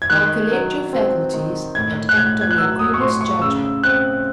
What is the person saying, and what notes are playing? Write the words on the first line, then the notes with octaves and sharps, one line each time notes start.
Now collect your faculties and act on your coolest judgment.
G#6
D#3 F#6
F#3
C4
D#3
A2 G#6
F#6
A2 G#6
G#6
F#6
F#3 E6
D#6
C#6
A2 C6
C#6
C#3 E6
C4 F#6